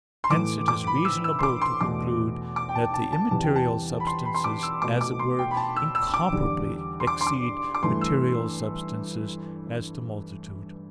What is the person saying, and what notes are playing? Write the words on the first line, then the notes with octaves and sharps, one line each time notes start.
Hence it is reasonable to conclude that the immaterial substances as it were incomparably exceed material substances as to multitude.
C6
A2 E3 A3 D6
D6
B5
E6
E6
C6
D6
C6
E2 B2 A3 D6
D6
G5
A5
A5
A5
E2 C3 E3 G3 A5
G5
A5
B5
C6
B5
C6
D6
E6
B2 A3 D6
D6
C6
G5
B5
A5
E6
E6
D6
E2 D3 G3
C6
D6
C6
D6
D6
G2 E3 A3 C6
E6